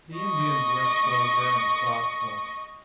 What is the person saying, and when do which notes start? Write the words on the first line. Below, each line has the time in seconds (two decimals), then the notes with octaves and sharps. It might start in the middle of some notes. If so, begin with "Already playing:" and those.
The Indians were sober and thoughtful.
0.17 D#5 C#6